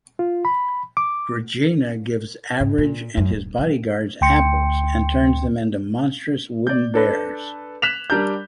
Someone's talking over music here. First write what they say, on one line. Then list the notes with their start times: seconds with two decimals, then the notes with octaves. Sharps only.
Regina gives Average and his bodyguards apples and turns them into monstrous wooden bears.
0.19 F4
0.45 B5
0.97 D6
2.60 G#2
2.78 A#2
3.17 F#2
3.33 D#1
3.58 B1
4.21 D2 G5 C6 C#7
6.67 D5 G6
6.94 D4 A4 B4
7.82 F#6 B6 E7 F7
8.10 G3 D4 A#4 G6